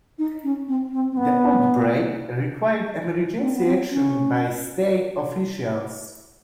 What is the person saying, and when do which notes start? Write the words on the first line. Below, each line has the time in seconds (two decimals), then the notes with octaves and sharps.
The outbreak required emergency action by state officials.
0.18 D#4
0.43 C#4
0.67 C4
0.92 C4
1.11 C4
1.17 B3
3.41 C4
3.54 B3
3.65 C4
3.90 C#4